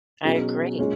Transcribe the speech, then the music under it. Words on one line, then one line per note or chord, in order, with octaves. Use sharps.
I agree.
B2 F#3 C#4 G#4
A#2 G#3 C#4 G#4 C#5